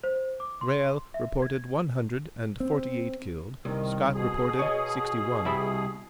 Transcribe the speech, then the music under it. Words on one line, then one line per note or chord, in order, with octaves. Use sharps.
Riall reported one hundred and forty-eight killed; Scott reported sixty-one.
C5
D6
C6
E5
G#6
C4
C2 D#3
B2 G#4
C#5 D#5
C2 E5 B5